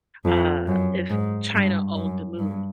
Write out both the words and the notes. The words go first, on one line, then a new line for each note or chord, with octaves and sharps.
uh, if China owned the moon,
F2
F#2
G#2
G2
F#2
G2